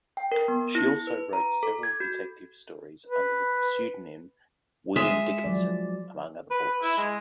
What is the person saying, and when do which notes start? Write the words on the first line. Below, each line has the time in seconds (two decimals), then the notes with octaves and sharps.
She also wrote several detective stories under the pseudonym "William Dickinson", among other books.
0.17 G5
0.32 A#4
0.48 B3
0.75 E4
1.07 B4
1.33 A#5
1.63 A4
1.83 G#6
2.00 F#4
3.06 B4
4.96 G#3 E5
5.44 F3 F#3 D5
6.50 B4
6.82 E4
6.97 G#3